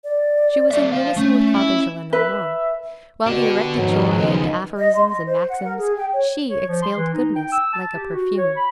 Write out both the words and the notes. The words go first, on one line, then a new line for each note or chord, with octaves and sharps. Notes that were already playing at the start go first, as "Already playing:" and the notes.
She was in unison with Father Gillenormand; while he erected joy into aphorisms and maxims, she exhaled goodness like a perfume.
D5
A#3 E5
C5 F5
A3 C#4
E4
B4 E5
B2 D4 F#4 G4 A4
F2 G#2 D#3 F3 F#3
D#2 C#3 G#3 B3 D#4
D#5
C6
D#5
C5
F#5
A#4
G#4
G5
C#5
C#5
F3
C6
E3
D#4
G5
E6
A5
G4
F#4
C#5
B5